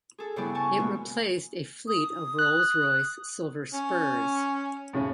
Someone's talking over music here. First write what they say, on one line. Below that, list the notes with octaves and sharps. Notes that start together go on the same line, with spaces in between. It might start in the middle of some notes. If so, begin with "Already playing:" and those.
It replaced a fleet of Rolls-Royce Silver Spurs.
G#4 A4
G2 C#3 G3 B3 E4 D5
G#5 A5 C#6
G2 B2 G#3 A#3 B3 C#4
D#6
F#6
C#4
A2 C#3 C#4